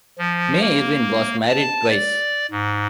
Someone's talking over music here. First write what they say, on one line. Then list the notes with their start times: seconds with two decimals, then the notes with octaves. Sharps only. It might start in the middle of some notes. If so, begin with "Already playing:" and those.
May Irwin was married twice.
0.18 F3
0.61 A#3
1.48 A5
1.90 D5
2.51 G#2